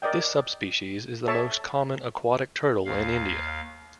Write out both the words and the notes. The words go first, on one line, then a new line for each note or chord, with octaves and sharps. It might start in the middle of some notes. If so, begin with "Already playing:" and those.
This subspecies is the most common aquatic turtle in India.
A#4 D5 D#5 G5
A4 C#5 E5 A5
D#2 F5